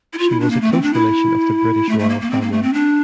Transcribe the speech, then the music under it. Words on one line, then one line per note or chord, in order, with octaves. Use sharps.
She was a close relation of the British Royal Family.
E4
F4
E4
D4
A#3
A3
C4
D4
E4
A3
A3
A#3
A#3
C4
A#3
A3
C4
D4